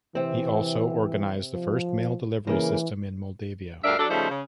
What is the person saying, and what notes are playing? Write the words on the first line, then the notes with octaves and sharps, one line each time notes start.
He also organized the first mail delivery system in Moldavia.
C3 E3 C4
F3
C#3 E3 A#3
D2 G2 D4 A#4 E5 F5
F#3 D4 A4
C#3 F3 G3 A3 D#4 C5
C#3